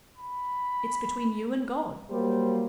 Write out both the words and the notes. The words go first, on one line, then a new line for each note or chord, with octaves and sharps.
It's between you and God.
B5
F#3 G3 A#3 C5